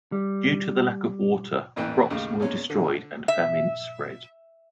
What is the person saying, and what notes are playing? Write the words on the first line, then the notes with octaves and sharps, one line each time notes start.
Due to the lack of water, crops were destroyed and famine spread.
G3
A1 F2 A#2 E3 B4 G5
D#2 A2 C#3
E2 A#2 G#3 C#4
D3
E5